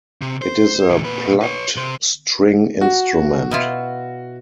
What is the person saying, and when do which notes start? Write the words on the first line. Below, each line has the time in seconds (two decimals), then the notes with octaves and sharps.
It is a plucked string instrument.
0.22 C3
0.42 C5
0.90 A#2 E3
1.04 A#2 B4
1.41 B4 C#5
1.76 C3 C5
2.81 F#4
3.51 B2 E4 F4